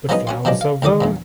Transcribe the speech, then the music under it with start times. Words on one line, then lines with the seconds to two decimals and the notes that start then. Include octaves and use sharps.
The flowers of var.
0.09 F3 F#3 G#3 B3 C#4 D#4
0.27 C#4 F#4 C6
0.45 B2 F3 F#3 G#3 D4
0.61 F5
0.82 D2 D#3 A3 D5 D#6
1.01 A#1 E2 A#2